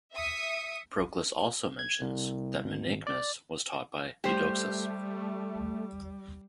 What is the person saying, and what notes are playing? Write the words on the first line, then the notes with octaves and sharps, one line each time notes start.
Proclus also mentions that Menaechmus was taught by Eudoxus.
E5 D#6 B6 C#7
G#6
C2
G#1
D5
G3 A3 G4 C5